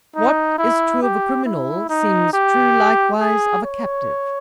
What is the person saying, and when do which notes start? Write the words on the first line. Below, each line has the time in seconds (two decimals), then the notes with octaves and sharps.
What is true of a criminal seems true likewise of a captive.
0.15 D#4
0.58 E4
1.02 G4
1.45 E4
1.89 D#4
2.33 G4
3.21 G#4
3.65 C#5